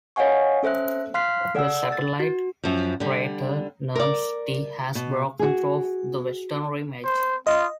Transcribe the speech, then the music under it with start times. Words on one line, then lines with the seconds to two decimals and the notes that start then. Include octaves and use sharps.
The satellite crater Nernst T has broken through the western rim edge.
0.16 C#5 D#5 F5 F#5 G#5 C#6
0.63 C#4 A4 C5 E5 F#6
1.14 F5 C6 F6 F#6 B6 C7
1.55 A4 D5 F#5 G5 E6
1.92 A6
2.20 F#4
2.64 F#2 F3
3.00 D3 G3
3.95 A#4 D5
4.95 B2
5.39 F#4 G#4
7.05 C5
7.47 F4 D#5